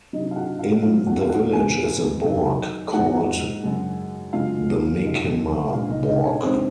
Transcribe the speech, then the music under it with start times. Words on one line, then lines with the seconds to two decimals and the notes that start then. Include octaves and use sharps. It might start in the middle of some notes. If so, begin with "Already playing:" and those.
In the village is a "borg" called the Menkemaborg.
0.13 C3 F#3 D#4 D#5
0.31 F5
0.36 F#4 F#5
0.59 F4 F5
0.83 G#2 F#3 F4 F5
1.06 F#4 F#5
1.21 F5
1.29 F#4 F#5
1.53 G#2 F3 G#3 G#4 G#5
2.24 F#2 D#3 F#3
2.93 G#2 F3 G#3 F#4 F#5
3.63 F#2 C#3 G#3
4.33 F#2 C#3 G#3 F4 F5
5.03 F#2 D#3 F#3
5.73 A#2 G#3 F4 F5
5.90 D#4 D#5
6.08 D#4 D#5
6.25 C#4 C#5
6.42 F2 C3 D#3 G#3 C4 C5